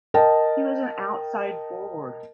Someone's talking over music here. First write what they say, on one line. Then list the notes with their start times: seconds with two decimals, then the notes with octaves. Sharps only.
He was an outside forward.
0.14 A#4 D#5 G5 A5